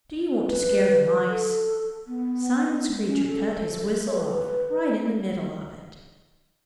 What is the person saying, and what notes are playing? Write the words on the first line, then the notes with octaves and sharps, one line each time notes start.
"Do you want to scare the Mice?" Simon Screecher cut his whistle off right in the middle of it.
B4
A4
B3
G#3
C#4
A4
C#5
B4
A4
B4